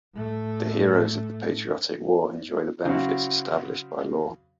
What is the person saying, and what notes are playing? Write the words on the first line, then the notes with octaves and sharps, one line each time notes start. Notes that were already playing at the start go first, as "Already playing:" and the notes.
The Heroes of the Patriotic War enjoy the benefits established by law.
A2 A3
C#3 F#3 C4 E4 F#4